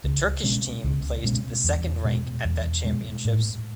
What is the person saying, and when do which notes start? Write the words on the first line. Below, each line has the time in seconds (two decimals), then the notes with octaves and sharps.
The Turkish team placed the second rank at that championships.
0.04 C#2
0.44 B2 G#3 C#4
0.84 C#2
1.24 B2 G#3 C#4
1.64 E2
2.05 B2 G#3
2.45 E2
2.84 B2 G#3
3.25 A2